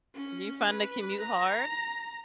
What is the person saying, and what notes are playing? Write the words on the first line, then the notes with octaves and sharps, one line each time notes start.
Do you find the commute hard?
C#4
B4
A#5